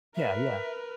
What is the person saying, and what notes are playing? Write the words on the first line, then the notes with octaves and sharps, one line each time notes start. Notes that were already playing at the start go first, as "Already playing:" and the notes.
Yeah, yeah.
A#4 B4 E5